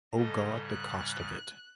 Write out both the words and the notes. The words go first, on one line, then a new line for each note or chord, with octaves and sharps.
O God, the cost of it!
G#2 C#3 G3 A4 D#5
F#6